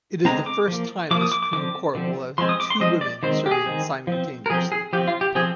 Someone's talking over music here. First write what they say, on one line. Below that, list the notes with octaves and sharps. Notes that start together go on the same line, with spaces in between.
It is the first time the Supreme Court will have two women serving simultaneously.
D3 G#3 C4 A#5
D6
F3 A#3
F3 A#3 D6
D#6
D6
D6
D3 F3 C4 D6
D3 F3 C4
F3 G#3 C4 C6
D#6
D6
C6
F3 G#3 C4 D#5
D5
D#3 G#3 C4 C5
G4
G#4
D#3 G#3 C4
F3 C4
A#4
F3 C4 G#4
G#4
F3 C4 G4
F4
G4
F3 C4 G#4